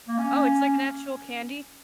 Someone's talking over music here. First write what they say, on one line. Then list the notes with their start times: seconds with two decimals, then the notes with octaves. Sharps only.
Oh, it's like an actual candy?
0.08 A#3
0.18 C#4